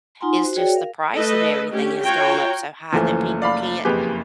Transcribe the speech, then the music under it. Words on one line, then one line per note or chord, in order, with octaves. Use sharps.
it's just the price of everything has gone up so high that people can't
D#4 F4 F#5 G#5 A#5 C6
F#4 C5
F#4 G#4 C#5 D5 G5
A#4 F5
A3 A4 B4 D#5
A3 C#4 G4
F4 F#4 C#5 G5 A#5
F#1 E3 F3 A3
D5 F5 B5
F#1 F2 G4 G#4 B4